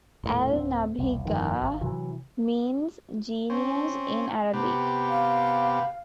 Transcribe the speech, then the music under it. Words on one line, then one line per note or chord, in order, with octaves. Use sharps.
"Al-Nabigha" means "genius" in Arabic.
D#1 A2
D1 C4
E1 C2
G1 F2 D#3
G#1
C3 E3 F#3
C4 C#4
C3 B3 G4
F5